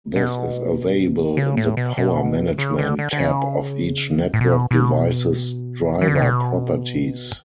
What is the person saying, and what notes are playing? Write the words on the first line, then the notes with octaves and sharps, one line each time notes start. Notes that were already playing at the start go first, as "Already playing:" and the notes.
This is available in the Power Management tab of each network device's driver properties.
B2
C#3
A2
B2
B2
C#3
D3
D3
D3
C#3
A2
B2
B2
E3
D3
C#3
B2